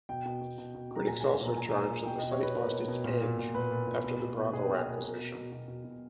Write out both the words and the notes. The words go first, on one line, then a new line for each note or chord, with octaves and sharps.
Critics also charged that the site lost its "edge" after the Bravo acquisition.
B2 G5
B2
B2
B2
B2
B2 A#5
A#2 G#5
A#2 G#5
G#5
A#2 A#5
A#2 G#5
A#5
A#2 G#5
A#2
B2 G5
B2 D#5
C#5
B2 B4
B2 A#4
B2
B2
A#2
A#2
A#2
A#2 B4
A#2
A#2
B2
B2
B2
B2 G#4
B2 G5
G#5
B2 A#4
B2 A#4
B2
B2
B2
B2
B2